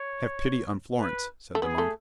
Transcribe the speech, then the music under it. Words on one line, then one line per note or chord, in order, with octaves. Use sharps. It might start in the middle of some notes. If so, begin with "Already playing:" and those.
"Have pity on Florence," said the monk.
Already playing: C#5
B4
A3
B3 G#4
A3